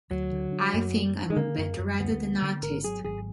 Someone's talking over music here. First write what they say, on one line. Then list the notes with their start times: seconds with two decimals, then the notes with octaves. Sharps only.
I think I'm a better writer than artist.
0.10 D2 F#3
0.32 D3
0.52 D4
0.73 F#2
0.94 A#3
1.15 D4
1.30 G#3
1.36 D3 A#3
1.58 F#2
1.79 F#2
1.99 D2 B3
2.21 A#3
2.42 D3
2.63 G#1 A#4
2.84 F#3 G#4
3.05 G#1 G#4